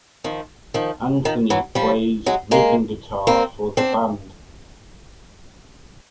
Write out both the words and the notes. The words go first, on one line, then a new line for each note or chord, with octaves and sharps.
Antony plays rhythm guitar for the band.
D#3 F3
D#3 F3
D#3 F3
E3 F#3
F3 G3
F#3 G#3
G#3 A#3
A#3 C4
C4 D4